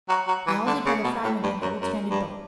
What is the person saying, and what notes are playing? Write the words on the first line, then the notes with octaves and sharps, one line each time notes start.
He halted by the fragment of an old stranded boat.
F#3
F#3
E3
D3
C#3
B2
A2
G2
F#2
F#2
G2